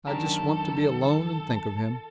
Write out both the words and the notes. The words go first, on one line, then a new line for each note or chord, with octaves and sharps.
I just want to be alone and think of him.
F#2 D#3 D4 G4 A4 A#4 A#5